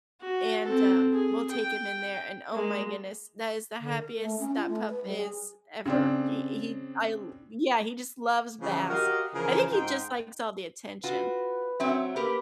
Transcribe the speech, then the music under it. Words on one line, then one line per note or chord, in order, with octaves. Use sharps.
and, um, we'll take him in there and, oh my goodness, that is the happiest that pup is ever. He he I l Yeah, he just loves baths. I think he just likes all the attention.
F#4
C4 A4
G#4
G5
G#3 A#3
D3
A#4
A3
C#4
F4
A3
B4
G3
G#4
C#3 C4 D4
C#3 E3 F3 G3 C#4
F#4 G4 A#4 D#5 F5 F#5
C#3 E3 F3 G#4 A#4
G#2 D#4 C5 G5
F4 F#4 B4
F#3 C4 E5
A#3 G4 A#4 B4